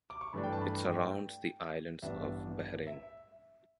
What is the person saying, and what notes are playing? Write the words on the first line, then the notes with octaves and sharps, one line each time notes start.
It surrounds the islands of Bahrain.
D6
C#6
G2 E3 A3 D4 B5
G5
A5
B5
G5
A1 G2 E3 B3 D4 E5
E5